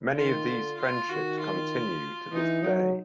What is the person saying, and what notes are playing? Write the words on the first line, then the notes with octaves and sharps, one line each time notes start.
Many of these friendships continue to this day.
D#3 F4
D3
F4
D#3 F#4
F4
E3 D#4
F#3